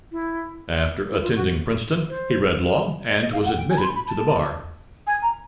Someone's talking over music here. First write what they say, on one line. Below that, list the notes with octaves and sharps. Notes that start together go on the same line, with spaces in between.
After attending Princeton, he read law and was admitted to the bar.
E4
E4
F4
F#4
C5
D5
D#5
F5
F#5
G5
G#5
B5
C6
B5
A5
G#5
A#5